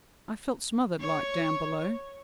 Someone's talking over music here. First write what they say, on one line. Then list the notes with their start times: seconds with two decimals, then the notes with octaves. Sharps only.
I felt smothered like down below.
1.00 C#5